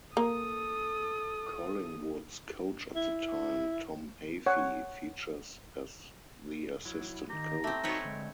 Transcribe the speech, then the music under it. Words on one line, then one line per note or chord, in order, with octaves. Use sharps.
Collingwood's coach at the time, Tom Hafey features as the assistant coach.
A#3 A4 D#6
E4
C#5 F#5
F#3 E4
D#3 G4 A#5
A3 C4 G4
C4 D#4 F#4 B4 C#5
D3 G#3